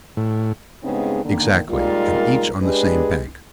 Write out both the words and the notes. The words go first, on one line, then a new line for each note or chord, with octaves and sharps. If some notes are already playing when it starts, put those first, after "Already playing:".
"Exactly, and each on the same bank."
A2
G2 C#3 G#3 B3 C4 D#4
D3 D#3 A#3
A#2 G3 G#3 D#4 F4 A#4
G#3 D4 G4 G#4 B4